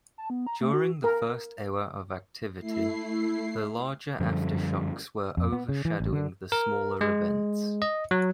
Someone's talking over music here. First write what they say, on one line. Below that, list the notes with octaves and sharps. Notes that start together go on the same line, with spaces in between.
During the first hour of activity, the larger aftershocks were overshadowing the smaller events.
A5
B3
A#5
A3
F#4
A#4
A3 E4 C7
F#2 D3 F3 G3
F2
B3
C#3
E3
A1
D3
A#4
G#3
D#5
F#3